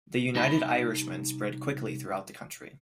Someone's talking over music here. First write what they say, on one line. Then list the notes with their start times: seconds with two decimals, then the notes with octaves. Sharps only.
The United Irishmen spread quickly throughout the country.
0.35 C2 D#4 G4 A5 B5